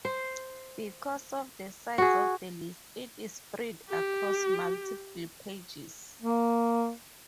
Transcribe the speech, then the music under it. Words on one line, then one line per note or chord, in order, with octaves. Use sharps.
Because of the size of the list, it is spread across multiple pages.
C5
F#4 G#4
G4
A#3